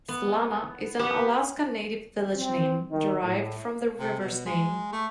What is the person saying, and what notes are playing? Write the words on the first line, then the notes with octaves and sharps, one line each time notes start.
Slana is an Alaska Native village name, derived from the river's name.
B3
B3 G4
C4
D#3
A2
C3
B2
G#3
A3